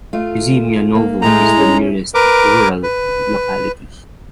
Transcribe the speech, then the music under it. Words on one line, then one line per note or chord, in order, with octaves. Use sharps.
Yuzimyanovo is the nearest rural locality.
A3 F4
A#3
A2 G#3 A3 A#5
C#4
A#4 B4 D6
B4